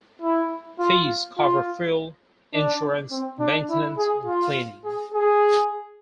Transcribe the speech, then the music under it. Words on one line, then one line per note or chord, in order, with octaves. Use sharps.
Fees cover fuel, insurance, maintenance, and cleaning.
E4
F4
F4
D4
C4
D4
E4
G#4
F4
G#4
G#4